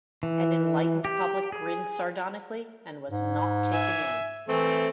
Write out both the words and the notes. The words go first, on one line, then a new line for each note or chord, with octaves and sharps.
An enlightened public grinned sardonically, and was not taken in.
E3
G4
G#4
G#2
E5 G#5
E3 A3 C4